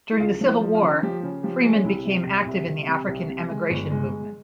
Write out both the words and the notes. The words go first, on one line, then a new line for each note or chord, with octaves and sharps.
During the Civil War, Freeman became active in the African emigration movement.
E4
C#2 F4
F3
E4
F3
F4
C#3
F3 G4
C#3
F3 G4
G#3
C#4
C2 E4
C3
C2
C2
C2
C3
C2
C3
G#3
G1
G#3
G#3